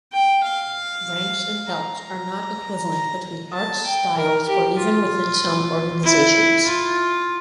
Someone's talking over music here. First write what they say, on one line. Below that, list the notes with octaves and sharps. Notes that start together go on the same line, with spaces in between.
Rank and belts are not equivalent between arts, styles, or even within some organizations.
G5
F5
A#5
A#5
A5
G5
A#4
G4
F4
E4
F4